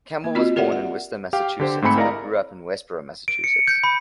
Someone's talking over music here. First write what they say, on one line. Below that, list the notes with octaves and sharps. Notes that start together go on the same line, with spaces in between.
Campbell was born in Worcester, Massachusetts, but grew up in Westborough, Massachusetts.
A#3
C4 F4 F#4 D#5
G4 A#4 D5 E5 F#5
F#5
G4 F5 G5
D3 G4 C5
G#2 A3 C4 G#5 B5 C#7
E4 A#4 D5 D#5 F5 A#5
D7
C#7
G6
B5